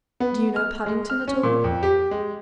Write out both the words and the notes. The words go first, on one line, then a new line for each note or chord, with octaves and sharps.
"Do you know Paddington at all?"
B3
F6
G#3
F6
C#4
A#2
F2
G4
G#3